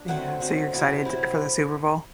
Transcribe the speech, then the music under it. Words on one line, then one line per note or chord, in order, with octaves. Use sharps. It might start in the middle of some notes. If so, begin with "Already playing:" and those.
Yeah. So you're excited for the Super Bowl?
Already playing: D4
D3 F#3 A3 C4 F#5
D3 F#3 A3 C4
C3 F#3 C4 E4
C3 F#3 C4 E4